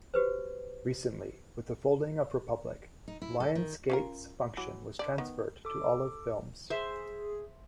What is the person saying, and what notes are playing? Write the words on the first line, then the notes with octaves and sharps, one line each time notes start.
Recently, with the folding of Republic, Lionsgate's function was transferred to Olive Films.
F#4 G4 B4 C5
D#4
E4
A4
D#3
C#4 F4 A#4
E3 F#3
D3 D5
D#3 B3
A4 D6
G#4 C5 E5